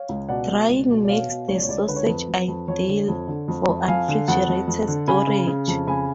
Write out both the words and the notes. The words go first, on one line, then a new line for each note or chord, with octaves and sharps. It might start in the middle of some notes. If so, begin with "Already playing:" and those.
Drying makes the sausage ideal for unrefrigerated storage.
Already playing: C#5 F5
C#2
B2 D5 F#5
B2
C#2
B2
D5
B2 C#5 F5
B2
C#2 C#5
D5
C#5
C#2 D5
C#5
D3 B4
C#5
F2 B4
F2
F2
F2 C#5
D3
F2
D3
F2
F2
F2 F5 G#5
D3
F2 F#5 A5
F2
F2
D3
C#3 G#5 B5
C#3
C#3
F2
C#3 G#5 B5